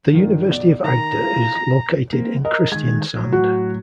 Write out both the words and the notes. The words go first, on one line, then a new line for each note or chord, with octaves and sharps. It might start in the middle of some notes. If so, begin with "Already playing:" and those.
The University of Agder is located in Kristiansand.
G2 D#3 F3
B1 D5
D#3 A#5
E4 F4
A#6
A#3 C4
A#4 D#5
D#3 G#3 G#6
A2 F#3
F#4